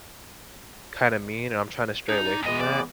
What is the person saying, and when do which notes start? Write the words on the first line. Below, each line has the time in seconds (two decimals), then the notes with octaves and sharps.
kinda mean, and I'm trying to stray away from that.
2.09 D4 D#4 G#4
2.24 D5
2.43 E2 E3 G#3 B3 D#5
2.61 D5